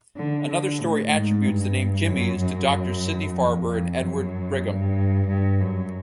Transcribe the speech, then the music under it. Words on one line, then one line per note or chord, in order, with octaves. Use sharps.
Another story attributes the name "jimmies" to Doctor Sidney Farber and Edward Brigham.
D3
D3
A2
G#2
G2
F#2
F#2
F2
F2
F#2
G2
G2
F#2